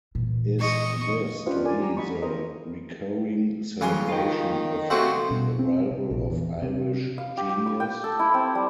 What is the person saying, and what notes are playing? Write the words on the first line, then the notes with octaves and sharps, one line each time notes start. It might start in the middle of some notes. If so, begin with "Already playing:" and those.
Is this to be the recurring celebration of the arrival of Irish genius?
A#2 E3
D#5 C#6
C#4 D4 F4 G4 B4 C5
A#4 D5 G#5
G4 A#5
F#4 D#5 B5 C#6
A#4 C5 D#5 A#5
G2 C#3 E3 F#3 G#5 C6
D#3 F4 G5
C3 A3 C4 F#4 C5 F5 F#5
B2
C4
C3
A#1
E2
C3
F5
G4
G4
D6
G5
A4
E4
C4
G3